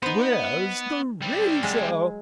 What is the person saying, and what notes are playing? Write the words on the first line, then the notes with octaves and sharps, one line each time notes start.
"Where's the razor?"
B3 D#4 C5
G3 C4
F#3 G#3